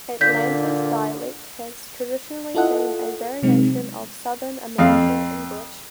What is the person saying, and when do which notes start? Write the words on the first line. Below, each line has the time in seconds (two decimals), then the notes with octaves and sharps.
Atlanta's dialect has traditionally been a variation of Southern American English.
0.21 A#2 D3 G6 B6
2.55 E4 F4 A4 D#5 F#5
3.43 C3 F#3 G#3 C4 D#4
4.78 F2 F5